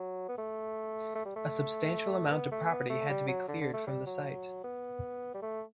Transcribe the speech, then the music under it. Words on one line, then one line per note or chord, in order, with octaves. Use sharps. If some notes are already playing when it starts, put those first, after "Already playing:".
A substantial amount of property had to be cleared from the site.
Already playing: F#3
B3
A3
A3
G3
A3
B3
A3
B3
A3
G3
F#3
D3
D3
A3
G3
F#3
B3
G3
A3